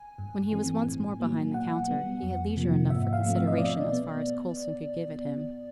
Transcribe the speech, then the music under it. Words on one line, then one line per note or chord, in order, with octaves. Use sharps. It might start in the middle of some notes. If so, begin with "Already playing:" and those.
When he was once more behind the counter, he had leisure enough for consideration as far as Coulson could give it him.
Already playing: G#5
G2
E3 A3 C4
A2
F#3 A#3
B2 F#5
G3 B3
F2
C3 F3 A#3
G#2 E5
F5
F3 A3 C4
E5
D#5
B2 D5
B3